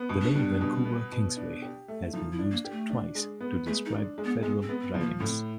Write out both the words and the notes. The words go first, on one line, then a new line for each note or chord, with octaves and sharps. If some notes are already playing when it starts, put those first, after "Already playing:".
The name "Vancouver Kingsway" has been used twice to describe federal ridings.
Already playing: B3
B2
D4
G3
B2
B3
B2
D4
G4
A3
F3 D#4
E4
D4
A#3
G4
A3
D4
G#3
B3
G#3 A3
D#4
D4
G#3
B3
G#3 B3
C4
B3
C4
F3
A#3
A2 C4